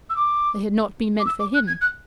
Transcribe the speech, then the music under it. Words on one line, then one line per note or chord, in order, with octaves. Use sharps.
They had not been meant for him.
E6
D6
D6
E6
D6
F#6
G#6
F#6